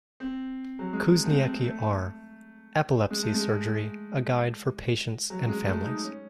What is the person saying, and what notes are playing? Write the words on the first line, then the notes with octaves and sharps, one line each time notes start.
Kuzniecky R. "Epilepsy Surgery: A guide for Patients and Families".
C4
F#3
G#3
A3
C4
C4
A3
G#3
A3
G#3
F#3
G#3
A3
D#4
C#4